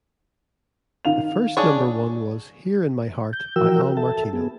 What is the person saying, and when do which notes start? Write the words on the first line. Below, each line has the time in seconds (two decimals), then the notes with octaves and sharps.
The first number one was "Here in My Heart" by Al Martino.
1.05 D#3 F5 F7
1.57 D4 G#4 C#5
3.33 G6
3.56 E3 F3 F#4 A#4 G5 E6
3.97 A4 E5 A5
4.33 B3 G#4